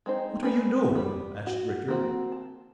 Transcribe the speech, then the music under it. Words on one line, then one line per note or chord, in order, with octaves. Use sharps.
"What are you doing?" asked Richard.
G#3 C4 D#4 C5
C#4 A#4 B4 D5
G3 B4
F#4
A#3 C4 F#4
A5